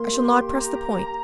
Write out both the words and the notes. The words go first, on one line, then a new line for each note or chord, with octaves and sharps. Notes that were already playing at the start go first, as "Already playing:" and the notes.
I shall not press the point.
Already playing: A#3 C6
G4
A#5